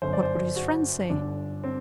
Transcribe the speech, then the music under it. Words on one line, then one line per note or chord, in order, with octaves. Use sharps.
What would his friends say?
G1 F#2 D3 C5
D5
C5
F#4
G1 G2 D3 D4
C4